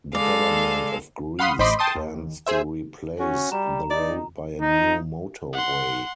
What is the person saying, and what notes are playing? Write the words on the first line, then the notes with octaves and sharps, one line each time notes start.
The government of Greece plans to replace the road by a new motorway.
G#3 A4 D5 F5
F5 F#5 B5 C6 D#6
A1 C5 D#5 B5 C6 D6
G5 A5 C6 D#6
D#2
G#4 C5 E5
C#4 F#4
G3 A#5
D#4 D5
D#4
F#5 C6